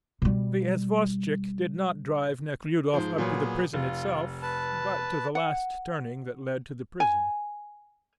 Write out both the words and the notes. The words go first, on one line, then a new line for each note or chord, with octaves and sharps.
The isvostchik did not drive Nekhludoff up to the prison itself, but to the last turning that led to the prison.
B2 G3
G#2 F3 C5
A#2 F#3 B3 G#4
F1 F4
B4 A5
F#5
G#5